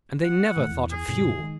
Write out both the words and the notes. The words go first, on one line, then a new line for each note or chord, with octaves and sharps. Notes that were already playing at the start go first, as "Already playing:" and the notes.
And they never thought of fuel.
F#5
G#2 D#3 A3
E2
G#4
F2 A2 C#3
D#3 F#3 G#3